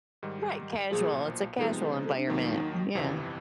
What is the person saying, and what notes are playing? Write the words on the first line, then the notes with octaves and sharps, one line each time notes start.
Right casual, it's a casual environment. Mm yeah.
G#2 D#3 G3
B1 A#2 F3 G#4
C3 F3 G#3 B3 D#4 A4
A4
A4
D4
D#2 D#3 F#3 A#3 D#4
G1 F2 C3 E3